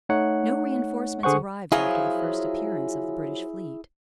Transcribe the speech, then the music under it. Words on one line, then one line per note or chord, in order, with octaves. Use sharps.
No reinforcements arrived after the first appearance of the British fleet.
A3 D#4 C#5 F#5
D3 G#4 C5 F#5 C#6
F3 F#3 E4 G#4 C#5